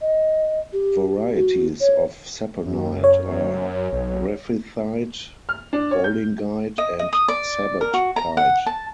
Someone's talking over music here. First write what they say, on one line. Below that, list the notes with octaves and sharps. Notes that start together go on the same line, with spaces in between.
Varieties of saponite are griffithite, bowlingite and sobotkite.
D#5
G4
F#4
C#5
F#2
C#5
B1
F6
D4
C#5
G6
D#5
D#5
D#6
D5
A#4
F#4
A#5
F#5
A5